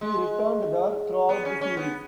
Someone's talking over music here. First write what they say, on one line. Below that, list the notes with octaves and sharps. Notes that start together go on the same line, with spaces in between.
He returned there throughout the series.
G#3
B3
C#4
C#4
B3